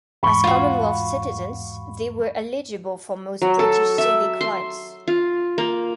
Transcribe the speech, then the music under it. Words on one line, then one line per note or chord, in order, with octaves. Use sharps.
As Commonwealth citizens, they were eligible for most British civic rights.
E2 G#2 B5 C#6
F4 F#4
F#3
A4
E5
C6
F4
A#3